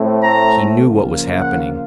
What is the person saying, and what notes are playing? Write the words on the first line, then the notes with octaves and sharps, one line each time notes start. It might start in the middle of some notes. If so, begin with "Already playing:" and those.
He knew what was happening....
Already playing: A2 A3 C4
A#5
C#3 F3 A#3 F4
F#5